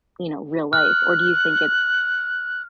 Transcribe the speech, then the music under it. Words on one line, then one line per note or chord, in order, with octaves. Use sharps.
you know, real life, or do you think it's
F6 F#6